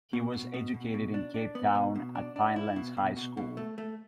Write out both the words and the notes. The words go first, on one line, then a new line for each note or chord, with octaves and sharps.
He was educated in Cape Town at Pinelands High School.
B2
B2
B2
B2
B2
D4
D4
B3
B2
B2
D4
D4
E4
B2
B2
B2
B2
A3
A3